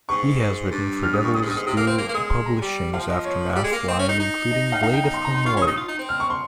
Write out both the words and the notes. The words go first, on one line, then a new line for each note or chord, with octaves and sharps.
He has written for Devil's Due Publishing's Aftermath line including "Blade of Kumori".
G#2 C#6
G2
F6
D#6
C#6
G2 D#6
G#2
G2
D#6
G#2
C3 D#6
A#3 F6
C4 F6
A#3
A#3
G#3 D#6
C6
A#5
G3
F3 F5
D#5
C#5
G3
G#3
A#3
C4
C#4
D#4
D#4
D#5
F5
D#4 F5
G5
A#5
C6
A#5
C6
F4 C#6
C#4
D#6
D#4
F4
D#4
C4
F6
C#6
C6